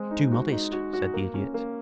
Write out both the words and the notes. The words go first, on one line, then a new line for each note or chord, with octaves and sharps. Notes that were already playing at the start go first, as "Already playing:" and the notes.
"Too modest," said the Idiot.
Already playing: G#3 C4
D#4
F#4
D#4
F#4
F#4
A#3
C#4
A#3